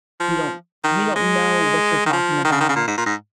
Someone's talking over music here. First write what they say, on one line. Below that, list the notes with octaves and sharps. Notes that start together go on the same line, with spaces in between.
you don't you don't know what you're talking about."
F3
D#3
G#3
D#3
F3
D#3
C#3
D#3
C#3
A#2
G#2
A#2
G#2